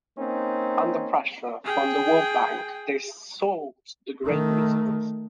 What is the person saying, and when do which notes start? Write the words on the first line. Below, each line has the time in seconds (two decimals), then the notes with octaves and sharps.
Under pressure from the world bank, they sold the grain reserve.
0.17 A#3 C4 C#4 D#4
1.65 G#4 G5
4.25 D#3 A3